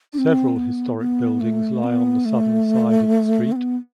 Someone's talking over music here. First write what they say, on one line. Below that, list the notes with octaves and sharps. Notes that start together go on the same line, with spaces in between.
Several historic buildings lie on the southern side of the street.
D4
C4
B3
B3
A3
C4
B3
A3
C4
B3